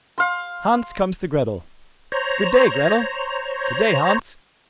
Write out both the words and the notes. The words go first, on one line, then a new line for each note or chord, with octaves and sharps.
Hans comes to Gretel. 'Good day, Gretel.' 'Good day, Hans.
F5 C6
C5 C#5 A#5